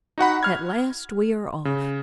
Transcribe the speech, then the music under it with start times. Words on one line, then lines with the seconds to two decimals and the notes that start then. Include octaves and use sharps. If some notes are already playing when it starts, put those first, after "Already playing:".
At last we are off.
0.18 D#4 F#4 F#5 B5
0.43 F6 G#6
1.65 C#3